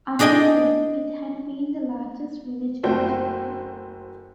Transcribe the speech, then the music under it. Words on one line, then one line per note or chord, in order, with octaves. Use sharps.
Until then it had been the largest village in Japan.
D4 G#4 D#5 G5 G#5
F#1 A3 F#4 C5 G5